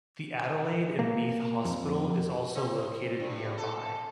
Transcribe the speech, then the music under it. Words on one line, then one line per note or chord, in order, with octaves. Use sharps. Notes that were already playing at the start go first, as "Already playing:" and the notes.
The Adelaide and Meath Hospital is also located nearby.
A#3
F2
C4
G2
A4